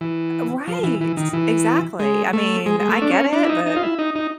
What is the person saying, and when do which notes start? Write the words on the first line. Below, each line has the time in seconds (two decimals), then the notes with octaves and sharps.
Eh right. Exactly. I mean, I get it, but
0.01 E3
0.68 F3
0.83 E3
1.01 E3
1.17 D#3
1.33 E3
1.99 G#3
2.33 A3
2.66 G#3
2.80 G#3
2.89 A3
3.02 D4
3.11 C#4
3.33 D4
3.44 E4
3.49 D#4
3.66 D#4
3.76 F4
3.83 E4
3.99 D#4
4.15 D#4